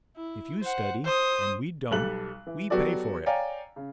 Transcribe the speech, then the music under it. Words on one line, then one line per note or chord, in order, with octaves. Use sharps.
If you study and we don't, we pay for it.
E4
C5 F#5
C5 D#6
B1 G3 A4 F#6 F#7
E3
F#3 B3 F#4 G4 A4 D5
C#5 D5 F5 G5 G#5 A#5
C#3